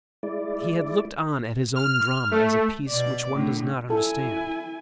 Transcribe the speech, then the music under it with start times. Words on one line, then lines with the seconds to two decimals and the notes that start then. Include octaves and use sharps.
He had looked on at his own drama as a piece which one does not understand.
0.23 G#3 E4 D5
1.75 F6
2.31 A3
2.88 B2 D5
3.33 A2 D3
3.90 E4 A4 G#5